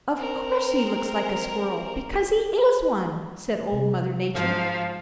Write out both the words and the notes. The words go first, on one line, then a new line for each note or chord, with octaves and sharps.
"Of course he looks like a Squirrel, because he is one," said Old Mother Nature.
C4 A#4
C3 C4
G#2 F3 F#3 F5